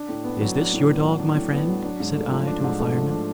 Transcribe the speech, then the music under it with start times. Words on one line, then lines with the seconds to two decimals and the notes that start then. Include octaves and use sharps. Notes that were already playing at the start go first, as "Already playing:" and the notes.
'Is this your dog, my friend?' said I to a fireman.
Already playing: D4
0.09 A2
0.24 B3
0.41 F#3
0.56 D4
0.73 A2
0.89 B3
1.04 F#3
1.20 D4
1.35 A2
1.52 B3
1.68 F#3
1.84 D4
2.00 G#2
2.15 A3
2.31 F3
2.47 D4
2.64 G#2
2.79 A3
2.95 F3
3.10 D4